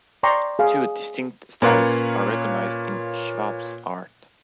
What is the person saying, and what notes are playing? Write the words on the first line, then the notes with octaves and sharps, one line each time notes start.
Two distinct styles are recognized in Schwabe's art.
D5 G5 A#5 C6 C#6
G#4 F5
A#2 C#4 B4 C#5 F5 A#5